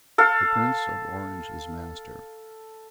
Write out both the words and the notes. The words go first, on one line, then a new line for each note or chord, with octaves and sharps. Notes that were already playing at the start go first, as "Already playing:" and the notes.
The Prince of Orange is master.
A4 F5